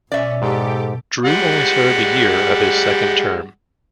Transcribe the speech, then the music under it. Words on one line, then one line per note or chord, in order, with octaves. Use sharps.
Drew only served a year of his second term.
B2 C#4 D5 E5
G#2 G4 A4 D6
G3 G#3 F#5